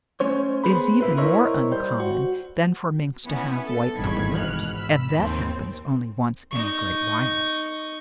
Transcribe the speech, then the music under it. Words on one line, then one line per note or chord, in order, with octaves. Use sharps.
It is even more uncommon than for Minks to have white upper lips, and that happens only once in a great while.
A3 C#4 C5 C#5
B3 G#4 B4 C5 B5
B2 A#3 E4 F4 B4
E4 A#4 C5 C#5 D#5 E5
G3 C5
F#4
B3 C#4 E4 G#5
A4
G#1 E2 G2 D#3 B5 G#6
G#1 B2 F6 F#6
B5 E6
D#2 C4
D#4 C#6